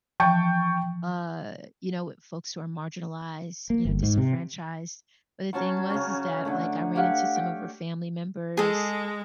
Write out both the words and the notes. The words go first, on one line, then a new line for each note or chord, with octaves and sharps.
uh, you know, with folks who are marginalized, you know, disenfranchised. But the thing was is that, like, I ran into some of her family members
E3 F3 G5 A5 C#6
A#3
G1
G#2
C3
F#3 C#4 A5 C#6
C#3 C#4
D3 A3
G4 C#5 F5 F#5
G5
G#3 G#4 A4